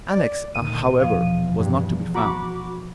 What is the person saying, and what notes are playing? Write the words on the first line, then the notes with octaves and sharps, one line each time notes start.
Alex, however, was not to be found.
D5
D2 A#2 D#3 D#7
E2 B2 F3 F5
G2
F#4 A#5 B5 D6